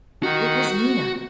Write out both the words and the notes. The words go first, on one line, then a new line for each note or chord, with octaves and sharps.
It was Nina.
D#3 F#4